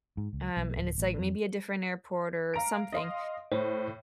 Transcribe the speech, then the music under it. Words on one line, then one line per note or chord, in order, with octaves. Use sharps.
um, and it's like maybe a different airport or something,
G#2
C#2
B1
D1
A1
F2
F5 A#5 D7
D#5 F5 C6
A2 C5 C#5